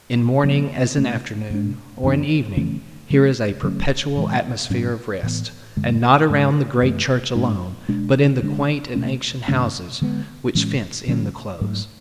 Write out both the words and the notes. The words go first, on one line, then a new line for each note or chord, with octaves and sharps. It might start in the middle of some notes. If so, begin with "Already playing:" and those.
In morning, as in afternoon, or in evening, here is a perpetual atmosphere of rest; and not around the great church alone, but in the quaint and ancient houses which fence in the Close.
C#3 F#3 B3
B2 A3 C#4
G#2 G#3 D4
F#2 E3 B3 D4
C#3 E3 A3 C#4
C#3 F#3 A3 C#4
C#3 F#3 A3 C#4
A2 E3 G#3
G#2 F#3 C#4
A2 E3 B3
F#2 D3 G#3
G#2 G#3 C#4
F#2 E3 A3
G#2 G#3 D4
B2 G#3 D4
D3 G#3 B3 D4
B2 A3 C#4
F#2 D3 A3 C#4
D3 G#3 B3
A2 E3 G#3 C#4
D3 F#3 C#4
G#2 F#3 A3